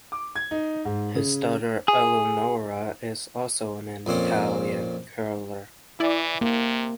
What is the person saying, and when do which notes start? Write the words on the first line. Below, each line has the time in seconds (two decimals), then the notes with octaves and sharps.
His daughter Eleonora is also an Italian curler.
0.12 D6
0.36 G#6
0.51 D#4
0.85 G#2
1.15 C#3
1.88 G#4
4.06 F2 A#2 C4 C#4
6.00 E3 E4 D5
6.41 C3 A#3